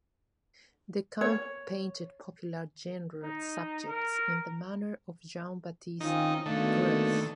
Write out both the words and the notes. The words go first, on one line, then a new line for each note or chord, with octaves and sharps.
Descamps painted popular genre subjects in the manner of Jean-Baptiste Greuze.
C#5
D#4
A#4
D#3 C4 C#4 D#4 F4
B2 D3 D#3 A3 A#3